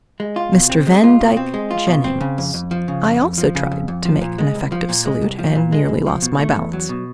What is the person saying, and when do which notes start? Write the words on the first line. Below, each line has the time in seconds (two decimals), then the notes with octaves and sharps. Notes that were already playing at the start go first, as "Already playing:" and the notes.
"Mr. Vandyck Jennings"--I also tried to make an effective salute and nearly lost my balance.
0.20 G#3
0.36 F4
0.53 B2
0.70 C4
0.87 G#3
1.04 F4
1.20 B2
1.37 C4
1.54 G#3
1.71 F4
1.87 B2
2.04 C4
2.21 C#3
2.38 F2
2.54 F2
2.71 F3
2.88 C#3
3.04 F2
3.21 F2
3.38 F3
3.55 C#3
3.72 F2
3.88 F2
4.05 F3
4.21 A#2
4.38 G#3
4.55 C2
4.72 F3
4.89 A#2
5.06 G#3
5.22 C2
5.39 F3
5.55 A#2
5.72 G#3
5.89 C2
6.06 F3
6.22 B2
6.39 A3
6.56 E2
6.73 F#3
6.89 B2